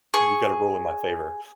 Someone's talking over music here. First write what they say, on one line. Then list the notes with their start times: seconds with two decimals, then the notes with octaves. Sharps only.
you gotta rule in my favor."
0.14 G#4 C#6